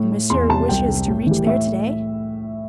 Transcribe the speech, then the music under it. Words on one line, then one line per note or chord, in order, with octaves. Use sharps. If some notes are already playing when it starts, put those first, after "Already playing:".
"And Monsieur wishes to reach there to-day?"
Already playing: A2
A3
E2 C6
C3 G3 A5
C2 G5
C3 G3
A2
E3 G3
A2 E5